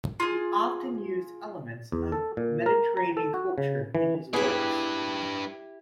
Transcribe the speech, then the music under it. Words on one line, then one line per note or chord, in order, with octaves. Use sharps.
He often used elements of Mediterranean culture in his works.
F4 G#4
E2
A4
A#2
A#4
A#5
A4
F#4
C#3
E3
B3 D4 E4 G4 G#4 B4